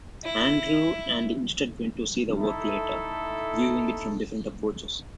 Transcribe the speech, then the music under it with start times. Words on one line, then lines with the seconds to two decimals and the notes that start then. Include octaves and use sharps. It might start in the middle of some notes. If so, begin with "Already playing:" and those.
Andrew and instead went to see the work later, viewing it from different approaches.
0.24 E4
2.37 A3 D#4 E4 A4